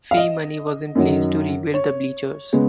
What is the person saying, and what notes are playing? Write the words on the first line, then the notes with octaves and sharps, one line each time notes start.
Fee, money was in place to rebuild the bleachers.
F5
D#5
F#2 D#3 F#3
C#5
C#3 G#3 B3